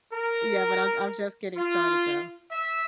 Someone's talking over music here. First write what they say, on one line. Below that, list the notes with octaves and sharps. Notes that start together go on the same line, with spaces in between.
Yeah, but I'm I'm just getting started though.
A#4
F4
E5